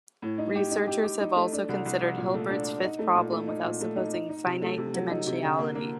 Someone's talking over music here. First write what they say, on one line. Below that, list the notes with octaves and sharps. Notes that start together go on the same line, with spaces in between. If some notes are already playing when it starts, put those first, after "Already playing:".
Researchers have also considered Hilbert's fifth problem without supposing finite dimensionality.
A2
D#4
G4
D#4
G4
G4
D#4
A3
D4
C2
C2
C2
A#2
A3
D4
D4
D#4
A3
A#2
A3
D#4
A#2
A3
D#4
D#4
D#4
C3
A3
C3
F#3
D#4
C3
D3
A#3
A#3